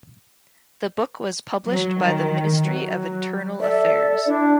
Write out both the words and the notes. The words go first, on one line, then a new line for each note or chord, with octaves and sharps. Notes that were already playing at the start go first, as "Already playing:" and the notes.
The book was published by the Ministry of Internal Affairs.
F#3
D#3
F#3
A4 D5 E5
D4 E4